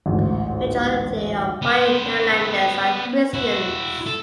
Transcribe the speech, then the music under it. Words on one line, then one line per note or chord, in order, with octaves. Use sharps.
The majority of white Marylanders are Christians.
A1 D2 G#2
B3 C5
E4 F#4
A4